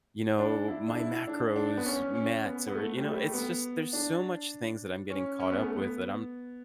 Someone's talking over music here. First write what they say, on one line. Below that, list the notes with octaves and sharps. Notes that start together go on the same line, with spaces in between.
you know, my macros, mats or, you know, it's just, there's so much things that I'm getting caught up with that I'm
D4
E4
D4
E4
D4
D4
B3
C#4
C#4
B3
B3
A3
G3
A3
G3
A3
B3
D4
C#4
C#4
B3
A3
B3